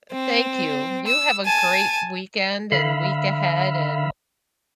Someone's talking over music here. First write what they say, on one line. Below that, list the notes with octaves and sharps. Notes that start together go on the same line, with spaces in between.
eh thank you, you have a great weekend and week ahead, and
C4
E6
G#5 A5
D3 E5 F5 B5